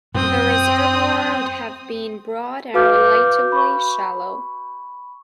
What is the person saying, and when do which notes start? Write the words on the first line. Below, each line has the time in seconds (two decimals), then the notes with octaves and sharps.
The reservoir would have been broad and relatively shallow.
0.14 F#2 C4 D#6
2.74 F#4 B4 F5 D6 F6 G6
3.52 B5 C#6